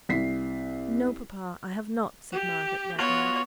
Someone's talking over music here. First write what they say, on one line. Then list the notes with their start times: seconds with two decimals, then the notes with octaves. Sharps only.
'No, papa; I have not,' said Margaret, reddening.
0.09 C2 B6 C7
2.32 G4
2.99 B3 F4 F#4 C#5